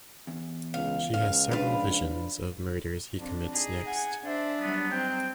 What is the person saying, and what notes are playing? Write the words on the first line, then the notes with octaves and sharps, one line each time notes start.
She has several visions of murders he commits next.
E2
C#2 F5
C#2 F5
F3 D4 B4 F5
F2 D4
D#4 G#4
F#5 G#5
D4 C5 E5
F#3 G3 B3
C4 D#4 G5